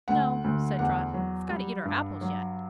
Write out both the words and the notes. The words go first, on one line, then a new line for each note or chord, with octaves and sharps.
"No," said Trot; "we've got to eat our apples yet."
D2 F#5
D2
E2 F#5
F#3
G3
G2
F#3